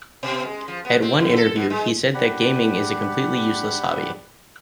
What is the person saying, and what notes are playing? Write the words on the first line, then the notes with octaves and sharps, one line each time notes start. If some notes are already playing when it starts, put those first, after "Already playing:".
At one interview he said that gaming is a completely useless hobby.
B2
G#3
F3
B3
C4
G2
A4
B2
G#3
D4 G4 F#5 B5